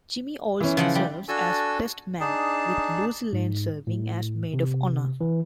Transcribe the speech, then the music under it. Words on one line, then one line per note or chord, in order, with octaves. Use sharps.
Jimmy Olsen serves as best man, with Lucy Lane serving as maid of honor.
E3 C#4
C#3 F3 F#5
G3
D4 F#4 A4 G#5 E6
D4 D#4 G#4 A5
G#2
A2
C3
E3